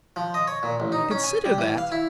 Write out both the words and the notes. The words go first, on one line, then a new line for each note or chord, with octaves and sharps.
Consider that!
F3
D#5
C#5
A#2
A1
D#4
C#4
G#5
G3
E3
F5
E4